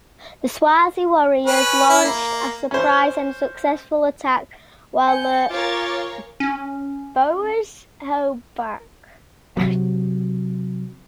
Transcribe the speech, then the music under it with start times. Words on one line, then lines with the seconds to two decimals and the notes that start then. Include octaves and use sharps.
The Swazi warriors launched a surprise and successful attack while the Boers held back.
1.47 C#4 B4
1.89 E4
2.04 A#3
2.71 C#4 C5
5.08 G#5 G6 C#7
5.50 F4 A#4 C#5 F5 D6 A6
6.40 C#4
9.57 C3 F#3